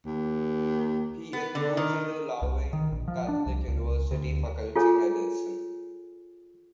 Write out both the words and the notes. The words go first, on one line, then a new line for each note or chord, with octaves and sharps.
He enrolls in the Louvain Catholic University faculty medicine.
D#2
B3
D3
D#3
C2
D#3
A#1
F3
D4
C2
C#2
D2
F4 G#4 A4 C#5 G#5